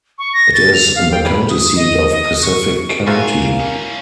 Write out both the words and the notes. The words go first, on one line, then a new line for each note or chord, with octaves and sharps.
It is the county seat of Pacific County.
C#6
A#6
A6
F7
F5
G5
B5
D#6
D#5
D#5
C#6
E2 A3 A#3 F4 F#4 F5 G#5
E3 C#4